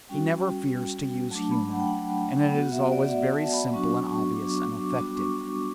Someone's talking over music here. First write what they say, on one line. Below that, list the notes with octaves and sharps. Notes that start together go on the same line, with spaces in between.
He never fears to use humor, and it is always very simple and obvious and effective.
G3 C#4 F#4 G5
F#3 A3 D4 A5
B5
F#5
G5
F#5
B3 F#4 F#5
E5
D5
E5
A5
B5
F#3 B3 D4 F#4 C#6
C#6
D6
D6
G3 B3 D4 F#4 D6
D6
C#6
C#6